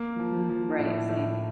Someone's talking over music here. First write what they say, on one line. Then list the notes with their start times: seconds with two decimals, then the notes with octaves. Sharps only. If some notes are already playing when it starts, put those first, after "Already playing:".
Mhm. Right. Same.
Already playing: A#3
0.19 F3
0.49 F3
0.79 A2
1.09 A2